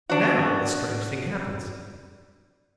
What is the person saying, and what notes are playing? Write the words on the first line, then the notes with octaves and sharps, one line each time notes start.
Now a strange thing happens.
D4 F#4